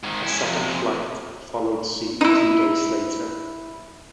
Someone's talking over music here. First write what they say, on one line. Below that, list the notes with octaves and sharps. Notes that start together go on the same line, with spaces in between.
A second flight followed suit two days later.
G#2 D#3
C#4 E4
F2 C3
D#4 E4